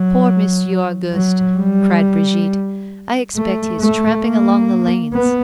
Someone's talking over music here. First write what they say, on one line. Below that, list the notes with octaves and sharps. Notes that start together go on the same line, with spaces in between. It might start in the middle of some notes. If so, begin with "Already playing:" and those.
"Poor Monsieur Auguste!" cried Brigitte; "I expect he is tramping along the lanes!"
Already playing: F#3
F#3
G3
A3
A3
A#3
B3